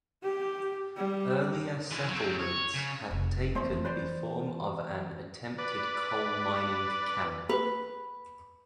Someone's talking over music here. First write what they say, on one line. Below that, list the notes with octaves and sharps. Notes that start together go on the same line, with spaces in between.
Earlier settlements had taken the form of an attempted coal mining camp.
G4
G3
E3 G#3
F#3 C4
C#5
C#3
F1
E2 A3 C4 C5
B4 C5 D5
B4 D5
B4